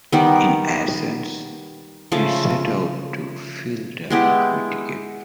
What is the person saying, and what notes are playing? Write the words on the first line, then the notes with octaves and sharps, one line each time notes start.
In essence it set out to fill the 'equity gap'.
D#3 G3 B3
C#3 F3 A3
G#3 B3 E4 G4